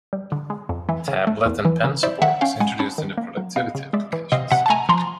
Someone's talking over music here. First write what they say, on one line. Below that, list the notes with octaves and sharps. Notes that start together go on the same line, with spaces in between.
Tablet and pen support was introduced in the productivity applications.
G3
D3
G#3
F2
E3
C#3
A3
E2
E3
C#3
E4 C5 D5
D#3 E5 F#5
C#4 F5 G5
G#3 F#5 G#5
C#4 A5 B5
D#3
A#3
F#3
B3 D#5 F5
C#3
G#3 D5 E5
E3
C3 D#5 F5
C3 E5 F#5
A5
A3 G#5 A#5
F3 A#5 C6